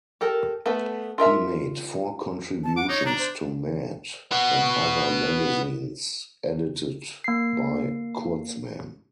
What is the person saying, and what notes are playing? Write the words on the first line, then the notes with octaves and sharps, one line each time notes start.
He made four contributions to "Mad" and other magazines edited by Kurtzman.
G4 A4 A#4
A3 B3 A4 B4
F4 A#4 E5 A#5
A5
F#5 D6
D#4 C#5
D4 A#5
C5
B3 F#4
A#3 C7